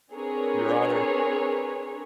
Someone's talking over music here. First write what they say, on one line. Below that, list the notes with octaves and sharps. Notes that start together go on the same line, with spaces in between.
"Your honor."
C4 D4 G#4 A#4 B4 C#5